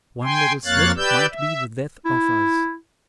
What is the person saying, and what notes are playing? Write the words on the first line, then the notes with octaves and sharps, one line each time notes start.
One little slip might be the death of us.
G5 G#5 C6
F2 A#3 C#5 F5 F#6 A6
G4 B4 D5 E6 G6
E5
E4